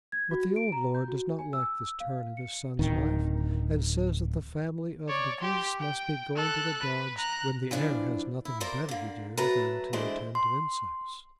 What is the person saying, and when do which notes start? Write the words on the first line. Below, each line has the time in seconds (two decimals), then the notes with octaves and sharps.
But the old lord does not like this turn in his son's life, and says that the family of De Geese must be going to the dogs when the heir has nothing better to do than to attend to insects.
0.12 G#6
0.31 F#4
0.56 D7
0.72 A#5
0.95 G6
1.08 F#4
1.39 G#5
1.53 E6
2.00 F5
2.37 C#7
2.79 D1 D#3
5.08 C#5 D5
5.40 G4 C6
5.79 G5
6.36 A4 F#6
6.82 B4
7.18 A#5 F#6
7.71 E3 F3 D4
8.45 E4
8.60 A#3 A#4 C5 D5
8.89 D3 A#3
9.37 F#3 A3 B4 A5 A#5
9.93 E3 G#3 A3 D4 C5
10.35 C6